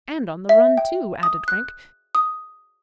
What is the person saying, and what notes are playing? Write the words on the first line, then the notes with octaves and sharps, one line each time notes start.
"And on the run, too!" added Frank.
E5
G5
D#6
F#6
D#6